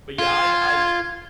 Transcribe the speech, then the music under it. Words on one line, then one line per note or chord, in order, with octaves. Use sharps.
but, yeah, I I
F4 G#6